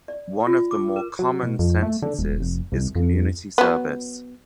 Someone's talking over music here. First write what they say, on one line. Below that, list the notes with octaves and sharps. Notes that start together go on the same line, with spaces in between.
One of the more common sentences is community service.
D5
F4
D6
A#4
F#3
B2
F2
A3
D3
E1
F1
C2
F2
F#3 B3